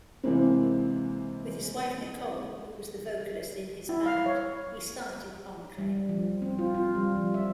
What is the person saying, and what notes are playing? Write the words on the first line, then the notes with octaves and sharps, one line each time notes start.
With his wife, Nicole, who was the vocalist in his band, he started Barclay.
C3 E3 G#3 A#3 C4
E4
F5
C#5
G3
F3
C4
F4
F4
G3
F3
E5